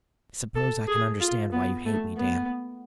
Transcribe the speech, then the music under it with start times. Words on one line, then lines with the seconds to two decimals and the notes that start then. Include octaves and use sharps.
"I suppose I can understand why you hate me, Dan."
0.55 A4
0.88 G#4
1.21 F4
1.52 B3
1.86 A3
2.18 B3